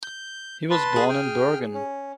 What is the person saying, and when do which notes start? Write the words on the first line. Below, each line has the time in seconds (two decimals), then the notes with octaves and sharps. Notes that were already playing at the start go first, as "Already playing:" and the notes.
He was born in Bergen.
0.03 G6
0.70 B4 A5 C6
0.96 G#4
1.09 G5 F6
1.74 C#4